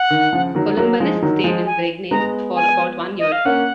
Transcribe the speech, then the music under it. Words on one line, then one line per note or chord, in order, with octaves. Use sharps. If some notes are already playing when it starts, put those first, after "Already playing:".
Columbanus stayed in Bregenz for about one year.
Already playing: F#5
D#3
C#3 F3
D#3 F#3
F#3 A#3
F3 G#3
D#3 F#3
F3 G#3
G#5
G#3 B3 A#5
G#5
D#5
F5
A#3 C#4 F#5